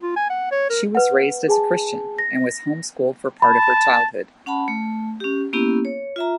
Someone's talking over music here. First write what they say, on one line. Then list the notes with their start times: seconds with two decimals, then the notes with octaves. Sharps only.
She was raised as a Christian and was homeschooled for part of her childhood.
0.02 F4
0.16 G#5
0.30 F#5
0.51 C#5
0.70 A#4
0.95 B4 F#5
1.48 G#4 G#5 A5
2.18 A#6
3.42 A5 B5
4.46 C#4 F#5 A5 B5
4.68 A3
5.20 C#4 G4
5.53 A#3 B3 C#4 E4 G4
5.85 C#5
6.16 F4 E5 A#5